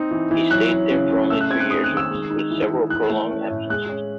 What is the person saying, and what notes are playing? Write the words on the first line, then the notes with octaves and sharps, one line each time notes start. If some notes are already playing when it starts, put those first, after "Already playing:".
He stayed there for only three years, with several prolonged absences.
Already playing: C4 D#4
E3
E3
F#3 F#6
C#4
C#3
C#3
A3 E6
F#6
C4 G#6
F#6
D#4 D#6
F#6
D#3
E6
G#3
D#4
E3
E3
E3 F#6
A3
C#4
A2
G#3 F#6
C#4